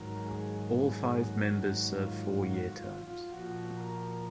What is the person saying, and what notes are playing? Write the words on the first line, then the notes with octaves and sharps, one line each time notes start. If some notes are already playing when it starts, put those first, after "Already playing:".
All five members serve four year terms.
Already playing: G#2 D#3 F#3 A#4
G#4
G#4
F#4
F#4
F4
F#4
F4
F4
A#2 F3 F#4
A#4